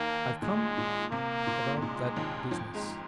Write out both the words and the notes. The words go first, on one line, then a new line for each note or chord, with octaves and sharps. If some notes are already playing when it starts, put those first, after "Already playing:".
"I've come--about that business."
Already playing: D#2 D#3 A#3
A#2 G#3
A#2
C3 A#3
A#2
C3
A#2 G#3
D#2 D#3
F2 F3
G#2 G#3